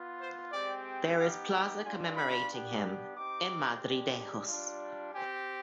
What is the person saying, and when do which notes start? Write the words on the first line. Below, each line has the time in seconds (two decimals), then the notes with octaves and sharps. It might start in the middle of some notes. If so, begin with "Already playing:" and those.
There is plaza commemorating him in Madridejos.
Already playing: B3 F4
0.20 C5
0.52 G#3 C4 G4 D5
1.18 B3 D#4 G4 F5
1.52 G5
1.84 G3 D4 F4 G#5
2.17 B5
2.51 B3 D4 G4
3.16 C4 D#4 G4 D6
3.81 G#3 D4 G4
4.47 G3 D4 F4
5.12 C4 G4 G#5